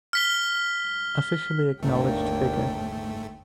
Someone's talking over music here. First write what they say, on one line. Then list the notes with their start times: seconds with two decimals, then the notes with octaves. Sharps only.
Officially acknowledged figure.
0.13 F6 B6 G7
1.82 G1 D#2 G#2 A3 A#3 D4 A#4 G5